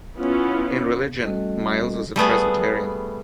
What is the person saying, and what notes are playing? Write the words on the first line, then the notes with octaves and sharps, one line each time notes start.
In religion, Myles was a Presbyterian.
B3 C#4 E4 F4
G3 A3 C#4 F#4 A4 D#5
G3 A3 B3 G#4